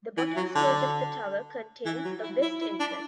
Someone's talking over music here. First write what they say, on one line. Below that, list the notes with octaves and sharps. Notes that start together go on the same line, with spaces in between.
The bottom stage of the tower contains a west entrance.
E3
F#3
D3
E3
F#3
E4
E4
E4
D4